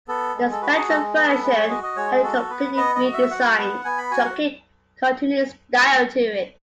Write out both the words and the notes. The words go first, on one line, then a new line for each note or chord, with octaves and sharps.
The Spectrum version had a completely redesigned, chunky, cartoony style to it.
B3 A4
G#3
A4
F#4 B4
G#4
G#3 A4
B3 G#4
A4
G#3 B4
C#5
F#4 D#5
D#5
G#3 C#5
F#4 A4
B3 B4
B3 D#5
D#5
F#4
E5
F#4 F#5
B3
B3 G#5
B5
F#4 G#5
F#5